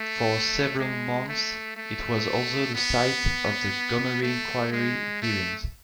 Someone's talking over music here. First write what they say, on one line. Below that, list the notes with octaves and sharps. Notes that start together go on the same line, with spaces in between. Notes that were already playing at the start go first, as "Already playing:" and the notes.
For several months it was also the site of the Gomery Inquiry hearings.
Already playing: A3
G#3
A3
A3
B3
A3
G#3
A3